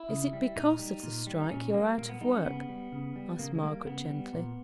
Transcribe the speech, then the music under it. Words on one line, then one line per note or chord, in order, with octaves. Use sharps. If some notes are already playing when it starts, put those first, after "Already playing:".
'Is it because of the strike you're out of work?' asked Margaret gently.
Already playing: E4
C#3
G3
A#2 D#4
G3
A#2
G3
D#4
A#2 C#4
G3 A#3
A#2 A#3
B3
G3 D#4
C#4
C#3 B3
G3
C#3
G3
C#3 A#3
G#3
G3 A#3
C#3 B3
G3
A#2